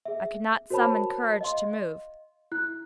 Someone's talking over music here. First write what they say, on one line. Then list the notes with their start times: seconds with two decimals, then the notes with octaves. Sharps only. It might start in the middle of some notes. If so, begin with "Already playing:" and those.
I could not summon courage to move.
0.05 G#4 E5
0.70 F#4 A#4 C5 C#5 A5 B5
1.41 D#5 F5 C6
2.52 E4 F#6